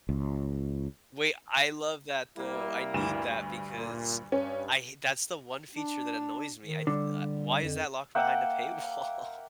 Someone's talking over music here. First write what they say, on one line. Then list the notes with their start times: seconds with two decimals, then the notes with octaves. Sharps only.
Wait, I love that, though. I need that because I I hate that's the one feature that annoys me. I th uh, why is that locked behind a paywall?
0.09 C#2
2.37 G3 A#3 E4
2.94 D2 G2 E7
3.75 A#2
4.32 G2 C#4
5.76 D4
6.65 D#3
6.87 D3 G3
7.63 F2
8.15 A#3 E5 F#5 G5